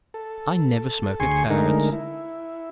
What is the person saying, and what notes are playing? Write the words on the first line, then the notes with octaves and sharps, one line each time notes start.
"I never smoke at cards."
A4
D2 G#4 G#5 C6 C#6
D3 G#3 A3 D#4 A#4
E4